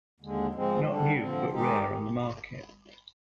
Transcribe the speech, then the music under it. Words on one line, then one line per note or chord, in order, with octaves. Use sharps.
Not new, but rare on the market.
D#2 D3 G#3
G#2 F3 G#3 C4
D3 G3 D4
D3 F3 C4
D#3 G#3 D#4 G4